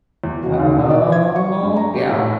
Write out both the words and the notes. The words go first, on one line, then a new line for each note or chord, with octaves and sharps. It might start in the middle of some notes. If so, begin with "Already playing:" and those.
Oh yeah.
E2
F#4
D#2
B2
D5
G#6
C#6
G2
A#5
G4
A2